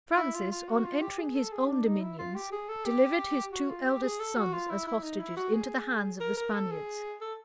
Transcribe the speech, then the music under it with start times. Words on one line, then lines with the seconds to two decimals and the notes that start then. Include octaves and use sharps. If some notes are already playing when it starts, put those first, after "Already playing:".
Francis, on entering his own dominions, delivered his two eldest sons as hostages into the hands of the Spaniards.
0.17 E4
0.35 F4
0.51 F4
0.68 F#4
0.84 F4
1.01 G4
1.18 G#4
1.35 A4
1.52 G#4
1.68 D4
1.86 D#4
2.02 E4
2.19 F4
2.35 G4
2.52 G#4
2.69 A4
2.85 G4
3.52 F#4
3.69 F4
3.86 G4
4.03 G#4
4.20 A4
4.37 F#4
4.53 F4
4.69 E4
4.87 E4
5.03 D#4
5.20 E4
5.36 F#4
5.53 G#4
6.20 A#4
6.37 A#4
6.53 A4
6.71 G#4
7.21 A4